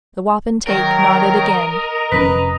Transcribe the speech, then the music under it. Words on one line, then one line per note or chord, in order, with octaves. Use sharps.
The wapentake nodded again.
D#3 F#3 A#4
D#5 A#5
F1 C3 C#4 B4